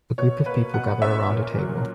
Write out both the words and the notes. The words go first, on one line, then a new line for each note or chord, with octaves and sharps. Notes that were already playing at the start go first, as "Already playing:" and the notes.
A group of people gather around a table.
B2 C#5
A#3 B4
B2 F#5
C#4 E5
A#2
F#3